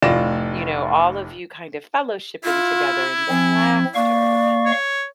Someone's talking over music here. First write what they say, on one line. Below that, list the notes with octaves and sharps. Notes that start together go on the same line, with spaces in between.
you know, all of you kind of fellowshipping together, and the laughter
F1 A2 F4 D5 A#6 E7
E4 F4
F3 C4 G#5
A#3 D5 F5 C#6
C#5